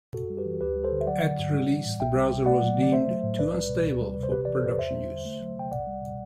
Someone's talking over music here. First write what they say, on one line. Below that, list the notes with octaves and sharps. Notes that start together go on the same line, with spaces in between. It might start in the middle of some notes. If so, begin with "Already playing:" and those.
At release, the browser was deemed too unstable for production use.
F#2 F#4 A4
G3
G4 B4
E3
D2 G4 B4
G3
A4 C5
D3
E5
F#3 D5 F#5
D3
G2
G3
E3
A2
C2 E5 G5
G3
B2
A3 D5 F#5
F#3
D3
D5
A3 C5 E5
F#3
A2
C2 B4 D5
G3
B2
D2
G3
C3
C5
A1 G4 B4
E3 D5
A4 C5
G2 B4 D5
E2 C5 E5
G3
D3
A3
F#3
C3 G5
C2 D5 F#5
G3
B2